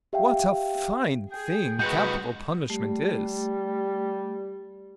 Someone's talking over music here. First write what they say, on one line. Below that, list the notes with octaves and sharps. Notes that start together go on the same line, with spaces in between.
'What a fine thing capital punishment is!
G4 E5 F5 G5
G#4 G5
G#3 F#4 B4 G6 C#7
G3 A3